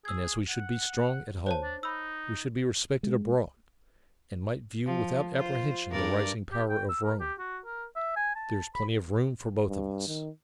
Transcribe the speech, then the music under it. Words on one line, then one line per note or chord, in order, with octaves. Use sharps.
And as we should be strong at home we should be respected abroad, and might view without apprehension the rising power of Rome. There is plenty of room for both of us.
G#4 E6 G#6
F#5
C5 C#5 A5
D4
D#4 B5 E6
G#3
F3
F4 C5
G2 A#4 D5
G4
G5
E6
A#4
G4
F#4
A#4
E5
G#5
A5
B5
G2
D#3